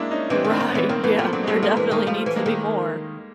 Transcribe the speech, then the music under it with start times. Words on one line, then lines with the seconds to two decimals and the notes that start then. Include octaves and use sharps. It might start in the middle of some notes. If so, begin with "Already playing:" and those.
Right. Yeah. There definitely needs to be more.
Already playing: G#3 A#3 D4 E4
0.11 C#4 D#4
0.30 E3 C4 D4
0.45 D#3
0.50 C4 D4
0.60 D#3
0.69 B3 C#4
0.75 E3
0.89 D#3 A#3 C4
1.03 E3 A3 B3
1.18 F3 A#3 C4
1.33 F#3 C4 D4
1.43 G#3
1.47 F#3 G3 A3
1.62 F3 G#3 A#3
1.77 E3
1.91 D#3 G#3 A#3
2.07 F3 G3 A3
2.26 E3
2.36 G#3 A#3
2.46 D#3